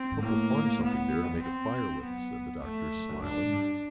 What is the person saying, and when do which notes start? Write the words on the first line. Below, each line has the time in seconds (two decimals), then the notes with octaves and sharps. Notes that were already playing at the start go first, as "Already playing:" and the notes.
"I hope we'll find something there to make a fire with," said the Doctor, smiling.
Already playing: C4
0.11 G#2
0.22 A2 A#3
0.83 B3
1.13 E2
1.23 F2
1.33 F2
1.43 C4
2.03 F#2 B3
2.63 F2 A3
2.95 F2
3.09 F#2
3.22 G2 D4
3.43 G#2
3.52 G2